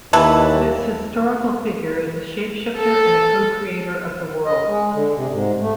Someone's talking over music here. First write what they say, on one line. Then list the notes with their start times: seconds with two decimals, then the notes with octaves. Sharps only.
This historical figure is a shapeshifter and a cocreator of the world.
0.13 D#2 E3 E4 B4 A5
2.77 A4
4.46 D#5
4.68 G#3
4.94 D3
5.16 C3
5.30 G#2
5.60 A3